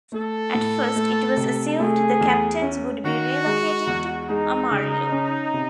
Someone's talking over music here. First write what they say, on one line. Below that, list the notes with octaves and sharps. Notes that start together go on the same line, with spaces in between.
At first it was assumed the Captains would be relocating to Amarillo.
A3 A4
A2
A3
C3
A3 G#4
E2
C#4
D#3 F#4
G#3
E2
G#3 D#4
C#3
C#4
C3